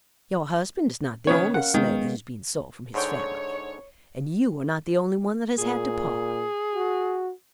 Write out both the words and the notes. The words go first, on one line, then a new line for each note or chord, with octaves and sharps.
Your husband is not the only slave that has been sold from his family, and you are not the only one that has had to part.
D#3 B3 C#4 C#5
A#4 F5 F#5
D#3 G#3 B3
G#2 D3 C#5 G5
A#2 G#4
F#4